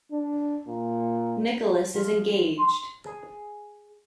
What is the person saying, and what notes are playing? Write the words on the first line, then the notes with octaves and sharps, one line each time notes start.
Nicholas is engaged.
D4
A#2
F3
C6
G#4